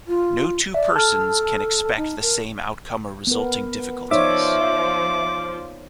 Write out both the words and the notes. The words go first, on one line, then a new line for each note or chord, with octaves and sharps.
No two persons can expect the same outcome or resulting difficulties.
F4
D5 E5
A4 A5 F6
D#4
A#4
B3 A#4
F3 D#4 C#5 D5 E5 D6